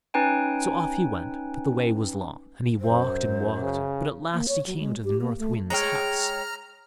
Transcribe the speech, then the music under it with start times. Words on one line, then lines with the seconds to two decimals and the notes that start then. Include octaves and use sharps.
So off he went, but the way was long, and he walked and walked; but at last he came to the North Wind's house.
0.14 C#4 D#4 B4 G5 G#5
2.80 F#2 C5
3.62 C#3
4.33 A#3
4.48 C#5
4.66 F#3
4.79 G#3
5.04 G4
5.21 A#3
5.39 A3
5.70 G#3 C#5 G5 A#5 F6